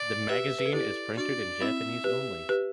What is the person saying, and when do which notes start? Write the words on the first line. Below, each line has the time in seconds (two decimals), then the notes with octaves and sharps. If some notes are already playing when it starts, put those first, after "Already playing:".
The magazine is printed in Japanese only.
Already playing: D5
0.29 G4 B4 E5
0.59 B4
0.66 A4
0.73 E4 G4 D5
1.17 D4 F#4 D5
1.61 C4 E4 E5
2.04 G4 B4
2.49 G4 B4